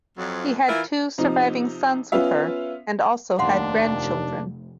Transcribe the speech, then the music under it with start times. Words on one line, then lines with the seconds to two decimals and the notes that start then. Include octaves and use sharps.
He had two surviving sons with her and also had grandchildren.
0.17 F2 F3 F#3
0.68 E3 E4 F4 A#4
1.18 C3 F3 D#4
2.12 B3 C#4 F4 E5
3.39 F1 D#2 D4 F5 F#5 C6